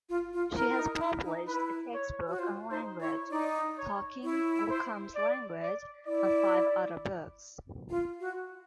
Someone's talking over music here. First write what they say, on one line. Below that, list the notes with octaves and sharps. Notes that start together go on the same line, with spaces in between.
She has published a textbook on language: "Talking Gookom's Language" and five other books.
F4
F4
E4 A#4
E4
D#4
D#4
E4
D#4
E4 B4
C#5
F#4
F4 C5
D#4 C5
E4 C#5
D#4 D5
C#5
E4 C#5
C5
D5
D5
E4 D5
F4
F#4